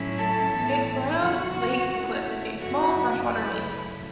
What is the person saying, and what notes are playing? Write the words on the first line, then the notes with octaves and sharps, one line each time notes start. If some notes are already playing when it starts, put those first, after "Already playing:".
It surrounds Lake Cliff, a small freshwater lake.
Already playing: A2 F#3 C#4 E4
A4 A5
A2 E3 B3 E4
E2 C#3 F#3 F#4 F#5
C#3 A3 E4
F#2 C#3 F#3 C#4 E4 F#4 F#5
F#2 C#3 F#3 A3 E4 B4 B5